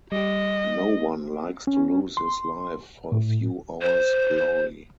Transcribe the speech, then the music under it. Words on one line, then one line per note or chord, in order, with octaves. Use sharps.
No one likes to lose his life for a few hours' glory.
G3 G4 D#5
C#4
C6
A2
C5